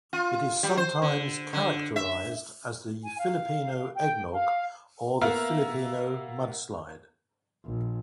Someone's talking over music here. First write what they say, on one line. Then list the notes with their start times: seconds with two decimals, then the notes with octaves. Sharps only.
It is sometimes characterized as the "Filipino eggnog" or the "Filipino mudslide".
0.13 F4
0.63 G3
0.77 C5
1.02 D3
1.53 D3
1.96 E5
3.04 G#5
3.20 F5
3.94 G5
4.33 F5
5.21 A#3 B3 E5 F5 A#5 F6
7.64 A#1